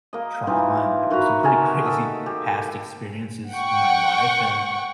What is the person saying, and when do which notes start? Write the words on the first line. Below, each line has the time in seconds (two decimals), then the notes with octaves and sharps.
trauma, and p some pretty crazy past experiences in my life, and,
0.13 A#3 D#5
0.47 E3 D#4 F4 G4
1.10 D#3 F#4 B4 A#5
1.43 A#4 D#5 G#5 A5
1.84 G4 A4 D#5
2.26 G4
3.51 F#5 G5 C#6